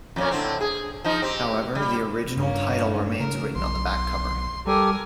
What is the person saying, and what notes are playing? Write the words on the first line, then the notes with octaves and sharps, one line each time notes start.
However, the original title remains written on the back cover.
F2 A#2 C#4
A2 D3 C4
G#4
F3 D#4
C4 G4
G3
G2 A#3 C#4
C#3 A#4
B1 C6
G3 G4 A4 A#4 G#5